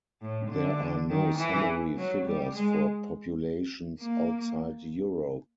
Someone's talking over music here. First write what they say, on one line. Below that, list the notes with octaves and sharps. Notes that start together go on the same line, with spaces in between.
There are no summary figures for populations outside Europe.
A2
D3
D#3
E3
F#3
G3
G#3
A#3